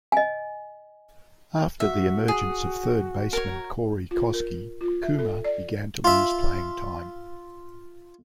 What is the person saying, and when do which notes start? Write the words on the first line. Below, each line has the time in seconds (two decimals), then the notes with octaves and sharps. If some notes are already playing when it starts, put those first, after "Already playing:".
After the emergence of third baseman Corey Koskie, Coomer began to lose playing time.
0.12 D#5 G#5
1.80 F#4 E5
2.28 G#4
3.33 A#4 C#5
4.11 F4
4.33 A#4
4.81 F4
5.02 E5
5.19 A4
5.44 D5
6.04 F4 E5